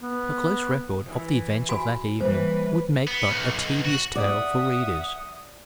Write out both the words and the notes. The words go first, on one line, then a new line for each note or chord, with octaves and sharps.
A close record of the events of that evening would make but a tedious tale for readers.
B3
E3
F#4 G#5 B5
E3 G3 A#3 B4 C5
B3
B1
F#4
D5 E5 F#5 D#6